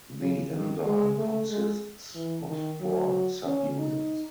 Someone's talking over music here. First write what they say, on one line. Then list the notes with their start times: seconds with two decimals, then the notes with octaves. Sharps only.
The enzyme consists of four subunits.
0.20 C#3
0.52 D#3
0.85 G#3
1.18 A3
1.50 G#3
2.15 E3
2.49 D#3
2.81 F#3
3.46 C#4
3.79 D#4